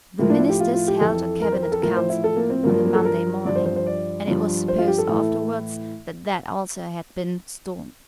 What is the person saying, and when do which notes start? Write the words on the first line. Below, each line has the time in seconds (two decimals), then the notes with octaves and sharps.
The Ministers held a Cabinet Council on the Monday morning, and it was supposed afterwards that that also had been stormy.
0.19 A2 F3 A#3
0.30 D4
0.40 E4
0.50 G4
0.60 F4
0.74 F4
0.88 G4
1.01 F2 E3 A4
1.41 A#4
1.52 C5
1.62 A#4
1.72 A4
1.82 A2 F3 A#4
1.96 C5
2.10 E4
2.24 A4
2.36 A#3
2.50 C4
2.63 G2 F3 A#3
2.74 A#3
2.85 A#3
2.95 A4
3.05 A#4
3.45 G2 F3 D5
3.55 C5
3.66 C5
3.76 C5
3.86 D5
4.27 G2 F3
4.68 C5
4.78 F4
4.87 G4
4.98 A4
5.08 A2 E3